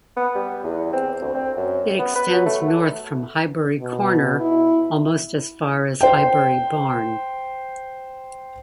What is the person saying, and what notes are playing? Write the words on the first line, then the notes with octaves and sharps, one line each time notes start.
It extends north from Highbury Corner almost as far as Highbury Barn.
B3
G3
E2
C4
D2
C4
F#2
B3
B4
F#3
A3
B2
E4
C5 G5